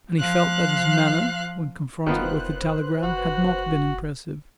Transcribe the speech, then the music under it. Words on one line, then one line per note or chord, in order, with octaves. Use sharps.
And he felt that his manner when confronted with the telegram had not been impressive.
F3 F5 F#6
F1 D#3 B3 F4 B4 C5 F#6
F#1 F#4